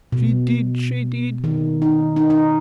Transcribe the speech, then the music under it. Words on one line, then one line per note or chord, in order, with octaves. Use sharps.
She did--she did!
B2
D#3
D#4
D#4
D#4